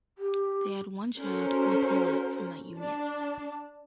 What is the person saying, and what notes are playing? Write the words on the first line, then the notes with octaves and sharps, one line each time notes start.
They had one child, Nicola, from that union.
G4
C#4 F#4 A4 A#4 C5
D4 A5